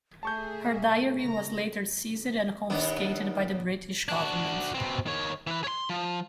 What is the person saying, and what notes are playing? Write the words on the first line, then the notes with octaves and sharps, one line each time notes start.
Her diary was later seized and confiscated by the British government.
A3 G#4 E5 A5 C#6 G6
C#3 A#5 A#6
D#2 B3 D4
D4 F#4
B2 C4
D#3 C#5
E3 B4
C#5 C6
F3